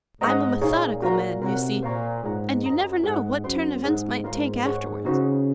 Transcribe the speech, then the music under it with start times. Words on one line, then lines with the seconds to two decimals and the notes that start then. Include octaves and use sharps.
I am a methodical man, you see, and you never know what turn events might take afterwards.
0.21 G#2 C5 D#5 F#5 A#5
0.61 A#2 D#4 G#4 C#5 F5
1.02 F#4 A#4 F5 A#5
1.42 C3 A#4 C#5 F#5
1.83 A#2 C5 F5 A#5 C#6
2.23 G#2 G#4 C#5 F#5 A#5
2.63 F#2 C5 D#5 A#5
3.03 G#2 G#4 C5 D#5 F#5
3.44 F#2 C5 F#5 C6
3.84 G#2 D#4 G#4 C5 F#5
4.24 G#2 F4 A#4 C#5 F5 C6
4.65 G#4 C#5 F#5 C#6
5.05 C#3 D#4 F#4 C5